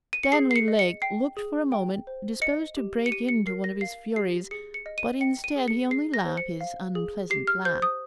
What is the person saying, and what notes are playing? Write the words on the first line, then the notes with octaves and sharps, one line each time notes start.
Stanley Lake looked for a moment disposed to break into one of his furies, but instead he only laughed his unpleasant laugh.
D#7
C#7
G#4 C7
C7
C#7
D#5
C#7
G5 C7
G#4
G5
C5
D#5 C#7
G4
C#7
G4 D#7
C#7
A#4 C7
A#6
F5 C7
G4 C7
G#4 C#7
C#7
D#5
D#7
G5 C#7
D#7
G#4
C#7
G#4 C7
A#6
C5
C#7
F5
G#4
G4 C7
F6
C5 G6
D#6